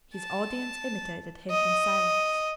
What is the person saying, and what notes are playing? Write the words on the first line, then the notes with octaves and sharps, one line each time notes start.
His audience imitated him in silence.
A5
D#5